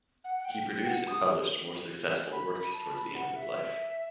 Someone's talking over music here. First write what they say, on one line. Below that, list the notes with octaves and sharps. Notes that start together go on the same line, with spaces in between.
He produced and published more successful works towards the end of his life.
F#5
F#5
G5
G5
F#5
D#6
B5
A5
B5
F#5
E5